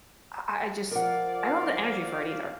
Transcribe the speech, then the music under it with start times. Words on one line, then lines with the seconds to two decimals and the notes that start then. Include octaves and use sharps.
I I I just I don't have the energy for it either,
0.91 F3 A#4 D5 F5 F#5